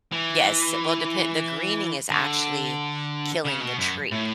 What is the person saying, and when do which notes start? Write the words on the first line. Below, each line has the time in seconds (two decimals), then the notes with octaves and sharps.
Yes, uh, well, depend the greening is actually killing the tree.
0.12 E3
2.12 D3
3.45 C#3
3.61 B2
3.79 F#2
4.12 A2